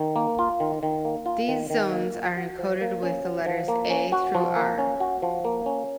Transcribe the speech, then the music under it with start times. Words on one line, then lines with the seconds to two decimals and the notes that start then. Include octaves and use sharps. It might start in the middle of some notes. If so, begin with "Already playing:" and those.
These zones are encoded with the letters "A" through "R".
Already playing: D#3
0.16 A#3
0.39 F4
0.60 D#3
0.83 D#3
1.05 A#3
1.26 F4
1.48 D#3
1.70 D#3
1.92 A#3
2.15 F4
2.37 F#4
2.59 F3
2.81 A#3
3.03 C#4
3.25 F#4
3.46 F3
3.68 A#3
3.90 C#4
4.12 F#4
4.35 F3
4.56 A#3
4.78 C#4
5.00 F#4
5.22 F3
5.45 A#3
5.66 C#4